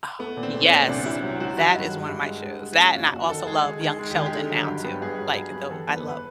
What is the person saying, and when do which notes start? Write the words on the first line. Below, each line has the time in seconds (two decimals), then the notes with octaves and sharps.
Oh, yes. That is one of my shows, that and I also love Young Sheldon now too, like, though I love
0.19 A3 B3
0.37 A#2
0.43 C4
0.54 A3
0.65 C#4
0.71 A#2
0.88 C2 D4
1.06 C2 E4
1.23 F#3
1.40 F#3 F#4
1.57 D#3 F#4
1.75 G2
1.92 G#3
2.09 G2
2.26 G#3
2.44 G2
2.60 G#3
2.78 C#4
2.91 F4
2.95 F#1 F#4
3.12 F#1 F#4
3.29 D#3 A4
3.47 G#3 G#4
3.64 G#3 G#4
3.81 D#3
3.86 G#4
3.98 G#3
4.10 G4
4.15 D#3 G#4
4.26 G4
4.33 D3
4.50 F#3
4.67 G2
4.85 B3
5.01 G2 G#4
5.19 F#3
5.36 G2
5.53 B3
5.71 E3 A4
5.88 G1
5.94 B4
6.05 G1 B4